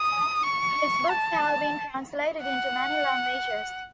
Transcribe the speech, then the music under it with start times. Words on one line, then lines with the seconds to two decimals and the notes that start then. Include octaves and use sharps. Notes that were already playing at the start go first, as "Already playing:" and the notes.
His books have been translated into many languages.
Already playing: D#6
0.43 C#6
1.10 A5
2.42 F#5